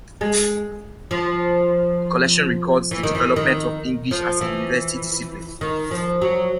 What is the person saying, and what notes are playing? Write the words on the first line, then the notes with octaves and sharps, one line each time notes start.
The collection records the development of English as a university discipline.
G#3
F3
E3
D#3
E3
D#3
F3
E3
D#3
F3
F#3